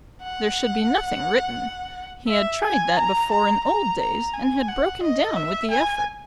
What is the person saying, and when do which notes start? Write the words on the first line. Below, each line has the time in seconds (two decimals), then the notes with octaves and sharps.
There should be nothing written; he had tried that before in old days, and had broken down with the effort.
0.23 F#5
2.28 E5
2.63 G#5
2.97 A#5
3.30 A#5
3.65 A#5
4.00 A#5
4.34 G#5
4.68 F#5
5.02 D#5
5.36 E5
5.70 G#5